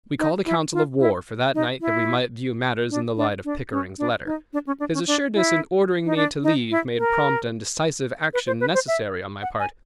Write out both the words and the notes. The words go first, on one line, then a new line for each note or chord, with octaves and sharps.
We called a council of war for that night that we might view matters in the light of Pickering’s letter. His assuredness in ordering me to leave made prompt and decisive action necessary on my part.
D#4
E4
F4
E4
D#4
E4
D4
D4
D4
C#4
D4
D#4
D4
C#4
D4
C#4
D4
E4
D#4
D4
D#4
E4
A#4
B4
C5
B4
C5
E5
F#5
G#5